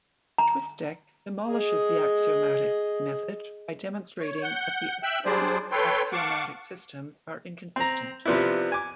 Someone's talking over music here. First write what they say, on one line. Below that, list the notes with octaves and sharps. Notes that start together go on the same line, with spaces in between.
Chwistek demolishes the axiomatic method by demonstrating that the extant axiomatic systems are inconsistent.
A#5
G#4 D#5
C#5
F#5 G6
E5 G5 E6 F#6
F#3 G3 D4 G#4 C5 D5
A4 B4 C#5 G5 C6
F5 F#5 A5 C#6 D6
C4 A#5
C3 F3 B3 D4 E4
G#5 D6